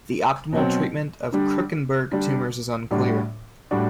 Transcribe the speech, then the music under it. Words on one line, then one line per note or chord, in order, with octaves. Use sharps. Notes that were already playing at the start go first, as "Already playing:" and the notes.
The optimal treatment of Krukenberg tumors is unclear.
B2 F#3 C4
D3 G3 D4
D3 G3 D4
A2 G3 D4 F#4
A2 G3 D4 F#4